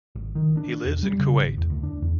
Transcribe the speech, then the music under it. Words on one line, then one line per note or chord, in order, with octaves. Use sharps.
He lives in Kuwait.
G#1
D#3
D4
E1
G3
C#3
G#1
E2
D2
D4
E2